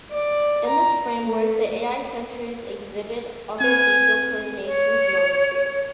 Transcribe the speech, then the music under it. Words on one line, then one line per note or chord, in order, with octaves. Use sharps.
In this framework, the Al centres exhibit octahedral coordination geometry.
D5
A#5
A3
C4 B4 G#5
C#5